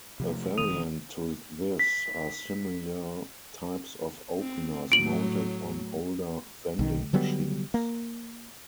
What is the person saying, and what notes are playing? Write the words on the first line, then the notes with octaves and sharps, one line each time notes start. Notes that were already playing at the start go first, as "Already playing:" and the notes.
A variant to this are similar types of openers mounted on older vending machines.
C3 F3 A3
E1 D#3 C4 D#6 D#7 F7
B6
C4
A2 F#3 A3 D7 F#7
B1 D#3
D3 F#3 G3 B3
A#3